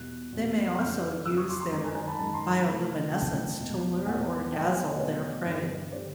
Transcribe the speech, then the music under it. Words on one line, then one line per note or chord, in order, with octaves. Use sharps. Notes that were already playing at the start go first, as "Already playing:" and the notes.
They may also use their bioluminescence to lure or dazzle their prey.
Already playing: E2 B2 G3 F#6
E2 B2 G3
F2 C#3 F3 F6 G6
F2 C#3 F3 E6 F#6
C#6 D#6
C6 D6
A#5 C6
F#2 D#3 G#3 A#5 C6
G#5 A#5
G#5 A#5
A5 B5
F#2 D#3 G#3 A5 B5
A#5 C6
A5 B5
C3 F3 A3
C3 F3 A3 G5 A5
E2 B2 G#3
E2 B2 G#3 F#5 G#5
B2 F#3 A3 G5 A5
F#5 G#5
F#5 G#5
C#5 D#5
B2 F#3 A3 B4 C#5
G2 D3 G3
D3 G3 C5 D5